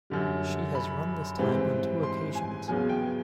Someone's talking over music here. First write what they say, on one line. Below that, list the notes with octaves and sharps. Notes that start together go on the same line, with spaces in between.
She has run this time on two occasions.
F#2 D3 G3
B5
G#2 E3 G3 C4
C6
G#5
E2 C#3 F#3 B3 G#5
G5